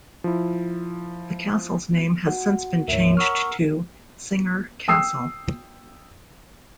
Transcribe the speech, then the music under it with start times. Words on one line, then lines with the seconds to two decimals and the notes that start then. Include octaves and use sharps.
The castle's name has since been changed to "Singer Castle".
0.24 F3 E4
2.27 F#4 F#5
2.88 D2 G#2 A#4 C#5 E5
3.17 A#4 F#5 A#5 C#6 E6 F6
4.88 G5 D#6 E6 C7